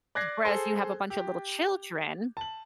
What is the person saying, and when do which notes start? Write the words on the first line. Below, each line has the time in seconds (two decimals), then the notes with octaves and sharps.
whereas you have a bunch of little children
0.15 D5 F#6 G#6 A#6 C7
0.45 G#4 A4 C5
1.10 G4
2.37 A5 F#7